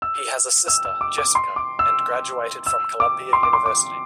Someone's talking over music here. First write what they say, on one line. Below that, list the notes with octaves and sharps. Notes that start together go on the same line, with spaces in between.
He has a sister, Jessica, and graduated from Columbia University.
E6
E6
E6
D6
D6
C6
D6
E6
E6
D6
C6
D6
C6
D6